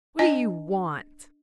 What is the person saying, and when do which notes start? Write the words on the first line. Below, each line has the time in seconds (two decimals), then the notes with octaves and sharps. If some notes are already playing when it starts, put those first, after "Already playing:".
"What do you want?"
0.19 D4 D#5 G#5